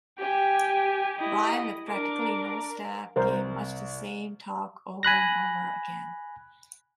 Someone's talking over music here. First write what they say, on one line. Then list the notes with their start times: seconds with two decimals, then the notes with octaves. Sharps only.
Bryan, with practically no staff, gave much the same talk over and over again.
0.19 G4 G5 G#5
1.18 E4 D#5
1.89 D4 A#4 D6
3.16 C2 A#4 C5
5.03 G#5 B5 F#6 A#6